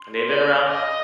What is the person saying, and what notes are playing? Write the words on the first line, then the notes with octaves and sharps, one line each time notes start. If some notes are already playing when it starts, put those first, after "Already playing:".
And they've been around
Already playing: C6
D5
D#6
D#5 D6
D#6